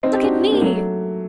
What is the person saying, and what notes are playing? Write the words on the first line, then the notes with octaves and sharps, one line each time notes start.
"Look at me!"
C4 D#4
D#4 G4
D4 F#4
A#3 D4
F#3 A3